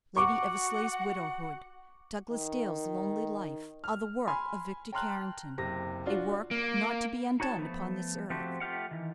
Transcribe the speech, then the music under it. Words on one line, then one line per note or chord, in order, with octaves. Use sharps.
Lady Eversleigh's widowhood, Douglas Dale's lonely life, are the work of Victor Carrington--a work not to be undone upon this earth.
F#4 F#5 C#6 D6
D#3
F6
G#5 B5 C6 F6
G5 A5 A#5 C6 F6 F#6
F#1 C3 A#6
D4 F4 F#4
A#3
D#4 F#4 C#5 A5
F3 A3 B3
F3 A3 C4 F#4 G4
A3 F4 G4 F5 F#5
D#3 E3